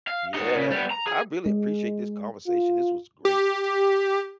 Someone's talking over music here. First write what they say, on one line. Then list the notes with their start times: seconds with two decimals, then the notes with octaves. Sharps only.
Yeah. I really appreciate this conversation. This was great.
0.07 F5
0.34 D#4 F#5
0.55 C#3
0.71 G3 B3
0.91 A#5
1.07 G#4 G#5
1.46 G#3
2.48 F4
3.25 G4